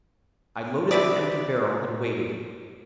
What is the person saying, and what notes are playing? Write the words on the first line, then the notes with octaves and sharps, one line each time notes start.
I loaded the empty barrel and waited.
C3 F#4 B4 D5